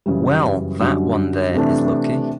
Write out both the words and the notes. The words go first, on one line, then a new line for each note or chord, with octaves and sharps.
Well that one there is lucky.
F#2 C#3 E3 G3
F#2 D3 G3
C3 E3 A3 D4